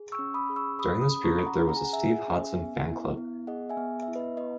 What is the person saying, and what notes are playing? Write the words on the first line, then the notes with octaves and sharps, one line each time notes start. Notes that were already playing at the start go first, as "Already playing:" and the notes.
During this period there was a Steve Hodson fan club.
Already playing: G#4
C#6 E6
C#4
B5 D#6
G#4
C#6 E6
G#4 B5 D#6
B5 D#6
C#4
D#6
A#5 C#6
C#4 B5
F#5 A#5
G#4 A#5
G#5
F#5
E5 G#5
G#4
C#4
B3
E4
B3
G#4 D#5 F#5
E5 G#5
B3
E5
E4
B4 D#5
B3 B4 D#5